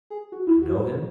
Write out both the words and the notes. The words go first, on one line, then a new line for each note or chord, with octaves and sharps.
"I know him?"
G#4
F#4
E4
F#4
F#4